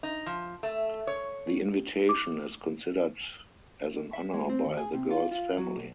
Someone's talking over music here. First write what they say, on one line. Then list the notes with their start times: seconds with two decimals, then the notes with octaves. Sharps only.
The invitation is considered as an honor by the girl's family.
0.03 D#4
0.26 F3
0.63 A3
1.07 C#5
2.09 D6
4.13 E5
4.34 G#3
4.50 C4
4.65 D#2
4.77 G#4
4.94 C3
5.11 F4
5.31 F4
5.58 F#3
5.76 B1